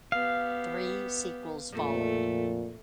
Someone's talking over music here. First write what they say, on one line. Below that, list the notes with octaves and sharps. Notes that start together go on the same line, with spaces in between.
Three sequels followed.
B3 G4 F5
F2 A#2 A3